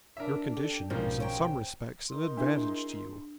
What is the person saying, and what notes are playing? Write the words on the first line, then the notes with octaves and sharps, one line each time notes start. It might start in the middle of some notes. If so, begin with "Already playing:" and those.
Your condition is in some respects an advantage to you.
D4 A#4 E5
G4 A4
B1 G#2 C#3 F3 G3 A#3 A#5 G6
G4 C5 C#5 G5 G#5 A#5
D#4 A#4 C6
D4 E4 G#4